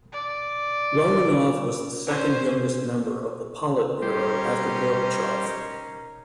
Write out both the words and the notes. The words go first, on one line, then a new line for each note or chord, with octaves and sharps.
Romanov was the second youngest member of the Politburo after Gorbachev.
D5
C#4 C5
G3 C#4 D#4 A#4 C5